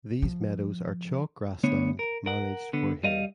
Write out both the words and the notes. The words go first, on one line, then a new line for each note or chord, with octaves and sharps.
These meadows are chalk grassland managed for hay.
F3
D2 B3 D4 C#5
A#4
A#4 F#5
D3 B3
G3 D#5 F5